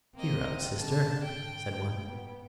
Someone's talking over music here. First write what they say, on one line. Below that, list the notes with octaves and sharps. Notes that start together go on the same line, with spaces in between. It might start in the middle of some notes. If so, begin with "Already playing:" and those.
"Cheer up, sister," said one.
A#3 C4 D#5
A#2 D3 A5
G#2 G5
B3